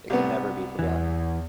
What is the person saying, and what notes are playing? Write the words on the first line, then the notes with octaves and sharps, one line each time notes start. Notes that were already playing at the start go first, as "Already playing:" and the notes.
It never can be forgotten.
C2 B3
E2 E3